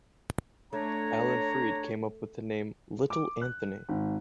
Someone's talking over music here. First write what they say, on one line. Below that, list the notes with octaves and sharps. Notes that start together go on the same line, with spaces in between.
Alan Freed came up with the name "Little Anthony".
A3 D4 C#5 A#5
D6
F#6
G#1